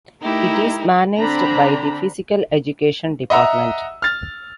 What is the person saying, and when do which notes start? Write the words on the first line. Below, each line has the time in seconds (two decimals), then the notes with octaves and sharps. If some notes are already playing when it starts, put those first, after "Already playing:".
It is managed by the Physical Education department.
0.23 A3 D#4 E4 G4 A#4
1.19 D3 C4 D4 A#5 B5
3.30 D#5 E5 F#5 A#5 E6
4.02 F6 A6